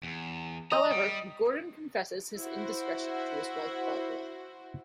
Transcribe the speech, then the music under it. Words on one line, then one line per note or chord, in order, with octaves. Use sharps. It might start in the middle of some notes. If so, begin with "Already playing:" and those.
However, Gordon confesses his indiscretion to his wife Barbara.
E2
D#5 A#5
G3
E4 F#4 C5